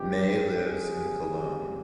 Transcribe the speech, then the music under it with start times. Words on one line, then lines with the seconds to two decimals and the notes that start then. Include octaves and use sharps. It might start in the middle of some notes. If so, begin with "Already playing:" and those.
Maye lives in Cologne.
Already playing: G2 F3 G#3 C4 G4
0.66 F2 C#3 G3 A#3 G#4